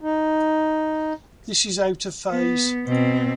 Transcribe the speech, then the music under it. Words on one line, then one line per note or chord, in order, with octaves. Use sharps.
This is out-of-phase.
D#4
B3
B2 C4